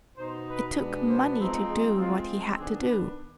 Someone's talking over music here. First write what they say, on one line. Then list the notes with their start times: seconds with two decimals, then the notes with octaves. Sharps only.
It took money to do what he had to do.
0.17 B2 B3 D#4 C5
0.49 B4
0.78 B2 G#3 B3 D4
1.08 C5
1.38 F3 G#3 C4 D#4
1.68 G#4
1.98 F3 G#3 C4 F4
2.58 D#3 B3 D4 G#4
2.89 B4